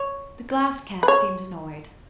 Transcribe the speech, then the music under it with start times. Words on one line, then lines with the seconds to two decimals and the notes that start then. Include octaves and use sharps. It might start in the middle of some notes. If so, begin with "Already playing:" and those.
The Glass Cat seemed annoyed.
Already playing: C#5
1.03 B4
1.08 C#5